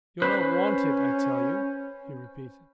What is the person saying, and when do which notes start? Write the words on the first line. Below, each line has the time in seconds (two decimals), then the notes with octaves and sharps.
"You are not wanted, I tell you," he repeated.
0.22 C#4 B4 C5